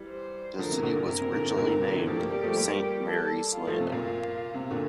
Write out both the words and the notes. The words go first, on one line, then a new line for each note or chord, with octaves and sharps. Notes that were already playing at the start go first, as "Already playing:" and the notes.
The city was originally named Saint Mary's Landing.
Already playing: E3 G3
C5
D3 F3 A#4
C3 E3
A#2 D3
A#2
C3 A#4
C3
A#2 D3
C3
A#2 D3
C3
A#2 D3
C3 E3
F3 A3 G4
G3 A#3
G3 A#3
F3 A3
G3 A#3
A4
F4
F3 A3
C3
A#2
C3
A#2 D3